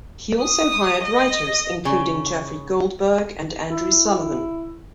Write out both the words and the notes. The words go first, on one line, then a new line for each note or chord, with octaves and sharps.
He also hired writers including Jeffrey Goldberg and Andrew Sullivan.
D#6
D#5
C#3
E4